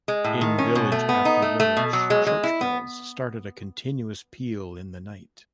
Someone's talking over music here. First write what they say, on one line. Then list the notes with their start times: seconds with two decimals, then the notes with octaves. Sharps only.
In village after village, church bells started a continuous peal in the night.
0.08 G#3
0.24 A2
0.41 D#3
0.58 C#4
0.75 B2
0.92 A3
1.09 B3
1.25 D#4
1.42 A3
1.60 A3
1.77 B2
1.93 F#3
2.10 G#3
2.27 G#3
2.43 E4
2.61 B3